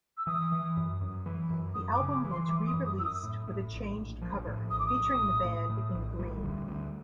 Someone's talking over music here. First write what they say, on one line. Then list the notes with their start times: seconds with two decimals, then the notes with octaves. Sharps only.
The album was re-released with a changed cover, featuring the band in green.
0.17 E6
0.27 E3 D#6
0.52 E3
0.77 F#2
1.01 F#2
1.26 E3
1.50 F#2
1.74 F#2 D#6
1.93 D6
2.00 C#3
2.11 D6
2.24 E3
2.31 C6
2.49 E3 D6
2.67 D#6
2.73 F#2
2.86 D#6
2.99 F#2 E6
3.05 D#6
3.23 A2
3.48 A2
3.73 A#1
3.97 A#1
4.22 F3
4.47 A2
4.70 A#1 D#6
4.79 D6
4.87 D#6
4.95 A#1
5.20 A2
5.45 A2
5.70 A2
5.94 A#1
6.19 G3
6.43 D2
6.68 D2